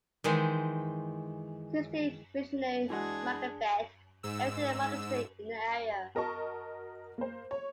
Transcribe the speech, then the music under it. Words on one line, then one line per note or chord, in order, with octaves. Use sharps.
Christian Missionary Mackevet erected a monastery in the area.
D#3 E3 G#3 C5
E3 G#3 D4 F#4 G#4
G#2 E6
F#4 A#4 D#5 A5 C#6
A#3 C5
C#5